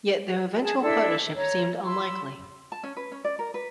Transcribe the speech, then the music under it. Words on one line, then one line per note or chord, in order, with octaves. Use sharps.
Yet their eventual partnership seemed unlikely.
G#4 A5
D4 E4 A4 E6
C#5 A#5
B5 C6 E6
A5
C#4
B4
C#4
D5
A#4
B4